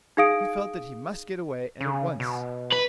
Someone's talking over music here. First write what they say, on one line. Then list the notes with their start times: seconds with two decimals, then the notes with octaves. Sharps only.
He felt that he must get away, and at once.
0.17 D#4 G#4 F5 D#6 D7
1.81 C#3
2.20 B2
2.73 B4